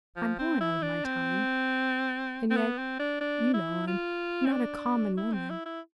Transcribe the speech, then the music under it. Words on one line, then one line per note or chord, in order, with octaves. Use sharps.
I'm born out of my time. And yet, you know, I'm not a COMMON woman.
F3
C4
E4
D4
C4
C4
B3
C4
D4
D4
E4
F4
C4
D4
E4
C4
E4
E4